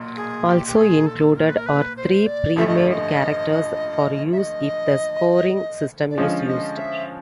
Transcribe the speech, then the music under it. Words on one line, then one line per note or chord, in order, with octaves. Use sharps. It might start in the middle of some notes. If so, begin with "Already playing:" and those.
Also included are three pre-made characters for use if the scoring system is used.
Already playing: B1 A#2
G#4
G4
G4
G#4
A4
A#4
B4
A#4
B4
C5
D5
A1 G2 D3 F3 A3 E5
D#5
D5
D#5
E5
D#5
D5
D3 F3 G#3 C#4 F4 D#5
D#5
E5